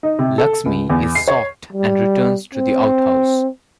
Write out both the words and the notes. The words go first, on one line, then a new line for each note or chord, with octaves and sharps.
Lakshmi is shocked and returns to the outhouse.
D#4
C3
A4
C#2
E2
C7
C#5
G3
C4